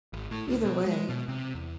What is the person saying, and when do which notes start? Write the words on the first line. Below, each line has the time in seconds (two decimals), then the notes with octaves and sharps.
either way,
0.13 G#1
0.31 A2
0.48 C#2
0.65 B2
0.85 G#3
1.09 B2
1.28 C3
1.55 E2